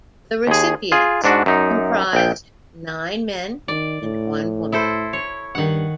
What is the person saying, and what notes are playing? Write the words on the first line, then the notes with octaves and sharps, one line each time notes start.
The recipients comprised nine men and one woman.
D#2 G#4
F4 G#4
G#2 D4 F#4
F#2 D#4
A#1 G5
D#3 D5
A2
E4 A4 C5
C#5
G2 D#3 F#5